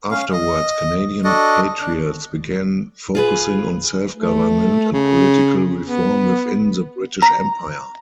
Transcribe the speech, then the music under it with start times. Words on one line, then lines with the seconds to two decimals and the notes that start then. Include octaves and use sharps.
Afterwards Canadian patriots began focusing on self-government and political reform within the British Empire.
0.11 C#4 F5
0.33 D#5
1.24 D4 F#4 A4 D#5
1.81 D4
3.15 F4 G#4 B4
4.14 A3
4.92 C#3
5.84 B3
7.22 A#5